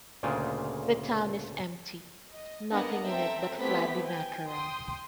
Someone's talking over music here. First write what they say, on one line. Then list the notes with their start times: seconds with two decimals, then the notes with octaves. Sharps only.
The town is empty, nothing in it but flabby mackerel.
0.23 D2 A#2 C#3 F4 G#4 G5
2.31 D#5
2.71 A#3 B3 D4 D#5 F#5 A#5
3.04 C4 A4 E5 G5 A#5
3.57 A3 B3 C4 E4 G4 B6
4.05 G5 G#5
4.48 G5 C6 D#6